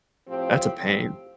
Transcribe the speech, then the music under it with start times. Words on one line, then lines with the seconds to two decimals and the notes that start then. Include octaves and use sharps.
That's a pain.
0.26 A2 F3 C4 G4